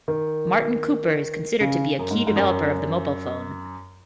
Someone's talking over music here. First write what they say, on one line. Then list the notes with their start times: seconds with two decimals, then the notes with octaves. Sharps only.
Martin Cooper is considered to be a key developer of the mobile phone.
0.08 D#3
1.60 C#3
1.99 F#2
2.11 G#2
2.27 G#2
2.36 F#2